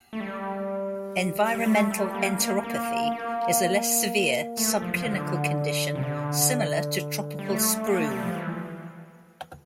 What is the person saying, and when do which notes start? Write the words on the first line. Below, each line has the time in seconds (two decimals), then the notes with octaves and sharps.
Environmental enteropathy is a less severe, subclinical condition similar to tropical sprue.
0.13 A3
0.20 G3
1.55 G3
1.66 A3
1.91 G3
2.15 A#3
2.40 A#3
2.64 A#3
3.12 A#3
4.57 A3
4.82 F3
4.94 F3
5.06 D3
5.95 C3
6.03 D3
7.39 G3
7.50 A3
7.87 A#3
7.97 A3
8.11 G3
8.23 F3
8.35 E3